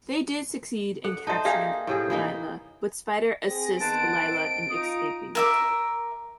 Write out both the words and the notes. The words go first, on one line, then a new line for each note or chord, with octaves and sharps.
They did succeed in capturing Lila, but Spyder assists Lila in escaping.
A4 F#5
D#4 C5 E5 A5
A#3 G#4 A#4 E5 F5 G5
A2 C3 G#4
E3 A#3 D#4
C4 G#4 A#6
D#3 B3 C5 F#5 A5 D7
D#3 C4
D#4 F4 D#6
A#4 E5 D6